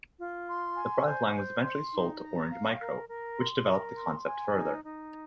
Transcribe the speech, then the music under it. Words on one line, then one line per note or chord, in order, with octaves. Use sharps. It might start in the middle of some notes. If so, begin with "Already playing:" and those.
The product line was eventually sold to Orange Micro, which developed the concept further.
F4
C6
G#5
C5
C5
C6
D#4
A#5
F5
A#4
A#4
C6
A#4
C6
G#5
D#4
D#4